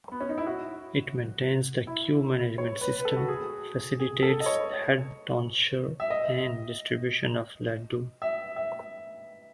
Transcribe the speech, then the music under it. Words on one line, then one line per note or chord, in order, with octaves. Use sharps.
It maintains the queue management system, facilitates head tonsure and distribution of laddu.
B3
C#4
D#4
E4
F#4
E4
C#5
B4
B4
A4
F#4
G#4
G#4
A4
D#5
C#5
E5
D#5
E5
E5